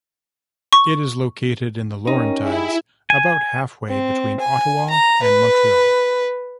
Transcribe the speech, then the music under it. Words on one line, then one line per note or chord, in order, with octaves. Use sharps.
It is located in the Laurentides, about halfway between Ottawa and Montreal.
C#6
C#4 D#4 G4 A#4
E4 G4 G#4
G#5
C4
G#5
A#5
B4